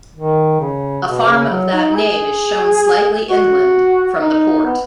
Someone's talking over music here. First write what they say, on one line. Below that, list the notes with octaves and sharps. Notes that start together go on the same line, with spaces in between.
A farm of that name is shown slightly inland from the port.
D#3
C#3
B2
C#3
F#3
D#4
G#4
F#4
D#4
B3